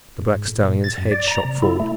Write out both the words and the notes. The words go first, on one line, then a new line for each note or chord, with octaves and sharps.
The black stallion's head shot forward.
G#2
A2
A#2
A6
F#2
D5
A#5
C3
E4
A3